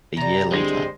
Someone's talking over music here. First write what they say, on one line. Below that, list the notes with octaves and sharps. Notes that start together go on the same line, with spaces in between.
A year later.
C3 G3 A#5
C2 D3 G#3 C5 A#6